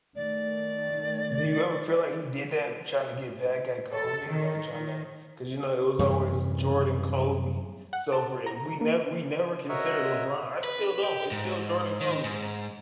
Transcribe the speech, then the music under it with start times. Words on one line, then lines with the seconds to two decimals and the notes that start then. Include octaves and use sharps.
Do you ever feel like he did that, tryna get back at Kobe, like tryna 'cause you know, it was always Jordan, Kobe, so for i we never we never considered LeBron, I still don't, it's still Jordan, Kobe.
0.15 D#3 A3 D5
3.91 A4
4.28 D#3
4.70 D#3
5.99 F#2 C3 E3 G3
7.93 F#5
8.12 A5
8.46 A#5
8.81 A#3
9.69 F#4 A#4 C#5 D#5 E5
10.64 B4
11.04 G4
11.31 G#2
12.00 D#3
12.24 G#2